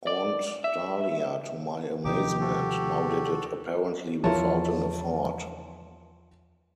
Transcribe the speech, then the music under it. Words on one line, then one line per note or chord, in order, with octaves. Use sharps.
Aunt Dahlia, to my amazement, now did it apparently without an effort.
D5
E5
D#2 C3 F3 D#4 G4 D6
F#4 A4
E2 E3 F3 E4 F4 A#4 C#5 A5